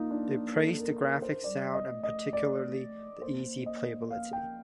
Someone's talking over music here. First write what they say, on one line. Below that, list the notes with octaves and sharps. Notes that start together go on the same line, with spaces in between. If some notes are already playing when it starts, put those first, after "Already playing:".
They praised the graphics, sound, and particularly the easy playability.
Already playing: A#3 D#4 F4
D4
A4
A#4
A#4
C5
G3 D5
D#5
A3
D#5
D5
A#3 C5
D#5
F5
G5